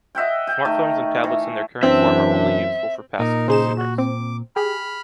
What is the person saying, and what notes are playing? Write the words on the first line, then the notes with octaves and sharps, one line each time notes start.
Smartphones and tablets in their current form are only useful for passive consumers.
D#5 E5 F#5 G5
G5
D#3 A3
E3
F#2 E3 C4 D4 E5
A#2 D#4 A#4
C#3 D#4 G#4 C5 E7
F#4
C4 D6
G4 G#4 B5 F6